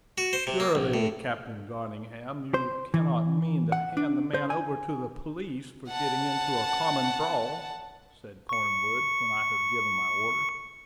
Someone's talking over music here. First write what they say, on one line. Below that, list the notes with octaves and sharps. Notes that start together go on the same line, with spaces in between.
"Surely, Captain Garningham, you cannot mean to hand the man over to the police for getting into a common brawl," said Cornwood, when I had given my order.
F#4
C5
C3
A#3
A#1
A2
C5
E3
F#5
D4
C5
G#5
F#5 A5
C#6 C#7